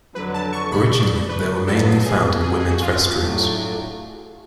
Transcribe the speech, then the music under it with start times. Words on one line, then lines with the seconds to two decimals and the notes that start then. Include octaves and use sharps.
Originally they were mainly found in women's restrooms.
0.15 F2 D3 F#3 B4
0.34 A5
0.52 C#6
0.72 B5
0.91 D5
1.29 B4
1.67 G#2 F#3 B3 F4 A4
2.05 G#4
2.43 G#4
2.60 G#4
2.70 F#4
2.82 F4
3.19 A2 F#3 A3 D4